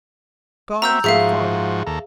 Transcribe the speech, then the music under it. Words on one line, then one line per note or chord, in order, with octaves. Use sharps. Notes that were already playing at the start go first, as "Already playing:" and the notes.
God is our Father.
C4 F#4 E5 A#5 E6 G6
G#2 F3 F#4 G#4 E5 F5
D#2 A4 A#5